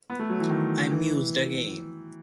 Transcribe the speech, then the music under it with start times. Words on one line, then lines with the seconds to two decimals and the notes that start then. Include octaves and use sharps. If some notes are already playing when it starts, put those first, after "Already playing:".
I mused again.
0.10 B3
0.19 A3
0.30 F#3
0.40 E3
0.50 D#3
0.91 E3